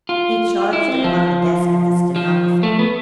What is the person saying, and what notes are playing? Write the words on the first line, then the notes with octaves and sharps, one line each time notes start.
He charged upon the desk of the stenographer.
F4
E4
C4
F3
F3
A3
B3